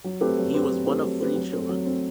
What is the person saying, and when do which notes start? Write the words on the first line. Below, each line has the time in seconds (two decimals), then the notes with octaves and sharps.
He was one of three children.
0.04 F#3
0.21 A3 C4 G4 B4
0.38 F#3
0.54 A3 C4 G4 B4
0.71 F#3
0.87 A3 C4 G4 B4
1.04 F#3
1.20 A3 C4 G4 B4
1.36 F#3
1.52 A3 C4
1.69 F#3
1.85 A3 C4